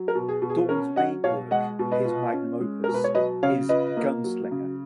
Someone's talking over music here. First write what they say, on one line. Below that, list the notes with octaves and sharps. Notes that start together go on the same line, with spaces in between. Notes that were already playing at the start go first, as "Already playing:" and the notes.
Dorn's main work, his magnum opus, is "Gunslinger".
Already playing: F#3
A#4
B2
G#4
B2
G#4
C#4 A#4
F#3 D#5 F#5
B2 C#5 F5
G#3 D#5 F#5
B2
B4 D#5
F4
C#4
G#3
B2 A#4
B4
C#5
F#3 B4 D#5
C#3 C#5 F5
F4 B4 D#5
A#3
F#3
C#3